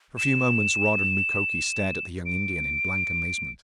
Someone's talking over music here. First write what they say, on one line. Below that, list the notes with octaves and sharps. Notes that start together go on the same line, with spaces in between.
For a few moments Rod and Mukoki stared at the young Indian in blank amazement.
E7
D7